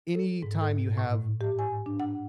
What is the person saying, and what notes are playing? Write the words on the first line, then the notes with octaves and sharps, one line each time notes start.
anytime you have v
A4
G#2
A4
A2
G4
G#5
D4
F#5